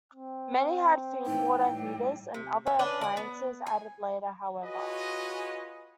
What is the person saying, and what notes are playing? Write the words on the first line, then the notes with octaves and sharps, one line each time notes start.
Many had feedwater heaters and other appliances added later, however.
C4
A2 E3 D#4 G5
A2 G3
C3
B3 E5
C#4 D4 B4
D5 F#5
B3
G#5
F4 F#4 G#4 B4 C#5 D#5